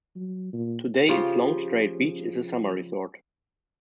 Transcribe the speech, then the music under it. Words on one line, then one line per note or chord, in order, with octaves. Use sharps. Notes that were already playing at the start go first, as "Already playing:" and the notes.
Today its long straight beach is a summer resort.
F#3
A#2
C#3 F3 F4 G4